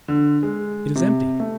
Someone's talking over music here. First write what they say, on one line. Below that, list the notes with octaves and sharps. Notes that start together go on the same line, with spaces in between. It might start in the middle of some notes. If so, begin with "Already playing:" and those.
It is empty.
D3
G#3
C3
A3